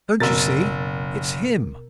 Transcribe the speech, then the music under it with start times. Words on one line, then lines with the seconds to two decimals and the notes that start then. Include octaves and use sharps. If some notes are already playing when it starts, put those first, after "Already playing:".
"Don't you see? It's him!"
0.20 F#1 B2 A#4 E6 A6